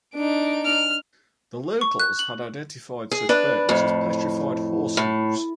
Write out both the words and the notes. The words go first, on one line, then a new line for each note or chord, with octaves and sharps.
The locals had identified such bones as petrified horse hooves.
D4 D#4 D7
F6
C#6
F#6
F#7
G#4
D4 B4
F2 A2
A2